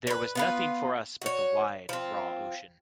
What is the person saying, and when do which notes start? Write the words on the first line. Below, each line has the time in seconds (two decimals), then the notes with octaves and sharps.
There was nothing for us but the wide raw ocean.
0.07 B4 C#5
0.35 B3 F4 B4
1.22 F#4 C#5
1.89 F3 C4